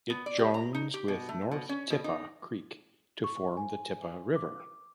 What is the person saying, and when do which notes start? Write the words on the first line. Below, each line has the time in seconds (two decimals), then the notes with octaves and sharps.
It joins with North Tippah Creek to form the Tippah River.
0.10 B3
0.26 D5
0.39 G4
0.54 A#5
0.75 D#4
0.94 G4
1.08 B2
1.29 A3
1.51 B2
1.69 C#4
1.90 B2
2.04 D#4
3.24 C#6
3.57 G#5
4.36 D6